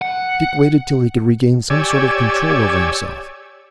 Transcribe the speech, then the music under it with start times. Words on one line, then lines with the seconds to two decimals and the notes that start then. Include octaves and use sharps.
Dick waited till he could regain some sort of control over himself.
0.02 F#5
1.70 G4 C#5 D5 G#5 E6